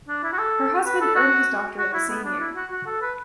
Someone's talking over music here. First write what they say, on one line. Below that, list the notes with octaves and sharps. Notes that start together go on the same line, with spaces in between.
Her husband earned his doctorate the same year.
D4
E4
F#4
A4
B4
A4
F#4
F#4
E4
B3
D4
E4
F#4
F#4
A4
B4